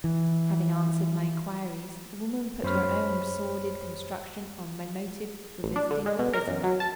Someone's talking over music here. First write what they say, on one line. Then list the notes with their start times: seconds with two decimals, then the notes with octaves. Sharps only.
Having answered my inquiries, the woman put her own sordid construction on my motive for visiting the prisoner.
0.04 E3
2.63 F#2 C5 C#5 B5 F6
5.63 A1
5.76 D4
5.91 D3
6.06 G#3
6.19 B2
6.33 A#4
6.48 F#2
6.64 F#3
6.80 A5